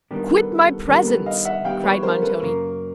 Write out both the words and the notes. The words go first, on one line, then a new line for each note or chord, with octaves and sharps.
'Quit my presence!' cried Montoni.
D#3 G3 B3 D4 G4 A#4
A#4
A4 B4
A4
D#3 G3 B3 D4 G4 A#4
A4 B4
D#5 F5
E5 F#5
D#3 G3 B3 D4 G4 F5 G5
B4 C#5
A#4 C5
A4 B4
F#2 C#3 F#3 A#3 C#4 A#4